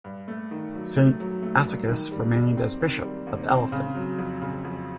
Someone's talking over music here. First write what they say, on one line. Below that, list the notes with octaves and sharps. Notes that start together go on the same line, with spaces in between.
Saint Asicus remained as bishop of Elphin.
G2
A3
D#3
F#3
A3
F#3
A3
G2
D#3
G3
G3
C4
D#3
G3
D#2
C4
C#3
F#3
F2
C#3
F2